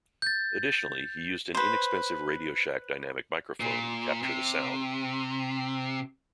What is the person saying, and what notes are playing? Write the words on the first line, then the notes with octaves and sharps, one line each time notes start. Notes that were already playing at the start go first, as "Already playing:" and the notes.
Additionally he used an inexpensive Radioshack dynamic microphone to capture the sound.
G6 A6
B4 C5
A#2
C3